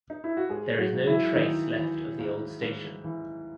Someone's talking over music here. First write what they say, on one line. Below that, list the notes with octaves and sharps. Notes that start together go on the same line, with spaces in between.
There is no trace left of the old station.
D#4
E4
F#4
G#2 G#3 G#4
F#3 F#4
G#2
E3 E4
D#3 E3 D#4
E3
G#2
G#2
E3